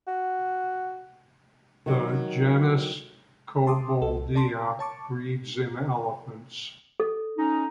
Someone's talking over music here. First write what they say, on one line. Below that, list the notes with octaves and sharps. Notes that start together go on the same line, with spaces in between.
The genus "Cobboldia" breeds in elephants.
F#4
D#3 F#3
A5 C6 D6 D#6
C2 A4
D5 A5 C6
C#5 A5 C#6 D6
A4
C#4 D#4